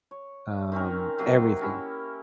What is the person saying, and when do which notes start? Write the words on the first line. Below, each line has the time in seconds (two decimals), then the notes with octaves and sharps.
um, everything.
0.11 C#5
0.72 D#3 C4 C#4 A#4
1.18 C3 F#3 A#3 G4
1.61 C#4 E4